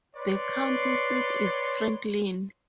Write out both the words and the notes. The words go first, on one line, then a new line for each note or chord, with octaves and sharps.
The county seat is Franklin.
B4 C#5 D5 C6